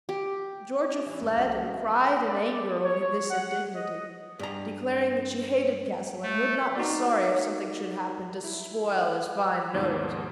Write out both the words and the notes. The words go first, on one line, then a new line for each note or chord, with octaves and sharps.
Georgia fled, and cried in anger over this indignity, declaring that she hated Castle and would not be sorry if something should happen to spoil his fine nose.
G4
E3 E4
D1 G#3 A#3 C#4
C2 F#3 G#3 C#4 F#4 D#5
B2
D5
C#5
F#5
D#5
G2 A#5
A3
D#4 F#4 A#4 D5
E4
D#2 G#2 B2 F3